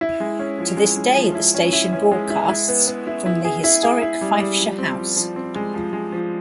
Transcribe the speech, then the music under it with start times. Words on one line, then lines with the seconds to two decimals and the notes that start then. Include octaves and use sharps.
To this day the station broadcasts from the historic Fifeshire House.
0.01 E4
0.20 G#3
0.39 C#4
0.59 F3
0.77 G#3
0.97 G#3
1.15 F3
1.35 E4
1.54 C#4
1.73 E4
1.93 C#4
2.12 G#3
2.30 E4
2.49 E4
2.68 B3
2.87 B3
3.07 E4
3.26 E4
3.45 G#4
3.64 E4
3.83 G#4
4.02 E4
4.21 G3
4.40 G3
4.59 F3
4.78 C4
4.98 F3
5.16 F3
5.36 C4
5.55 G#3
5.74 F3
5.93 G#3
6.12 F3